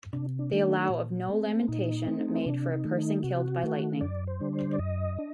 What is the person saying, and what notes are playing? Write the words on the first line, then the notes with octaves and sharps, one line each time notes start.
They allow of no lamentation made for a person killed by lightning.
C3 D4
D4
D#3 A3 D4
A#2
A3 C4
A#2 D#4
A3 C4
C3 D4
D#4
D#3 A3
D#4
C3 F#4
D#3 A3
F#2 D5
C5
D3 G3 D4
C5
D5
F#2 D#5
D4